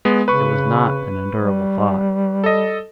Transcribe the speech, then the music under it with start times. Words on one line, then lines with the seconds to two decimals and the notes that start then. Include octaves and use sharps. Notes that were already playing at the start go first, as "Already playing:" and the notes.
It was not an endurable thought.
0.05 G#3 B3
0.28 C#3 B4 C#6
1.40 G3
2.44 A4 D#5